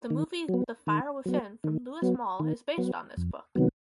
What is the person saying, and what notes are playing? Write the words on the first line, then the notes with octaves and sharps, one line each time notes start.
The movie "The Fire Within" from Louis Malle is based on this book.
D#3
F#3
B3
D#3
F#3 B3
D#3
F#3 B3
D#3
F#3 B3
F2
C3 D#3 F#3 B3